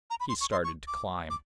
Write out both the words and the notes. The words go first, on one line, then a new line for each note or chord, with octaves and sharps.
He started to climb.
A#5
B5
C6
C#6
C6
C#6
D6
D6